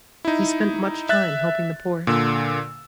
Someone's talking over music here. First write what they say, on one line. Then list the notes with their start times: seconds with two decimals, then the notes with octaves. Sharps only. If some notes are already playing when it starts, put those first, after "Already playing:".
He spent much time helping the poor.
0.25 D#4 E4
1.09 E5 F#6 A6
2.07 A#2 D3 E6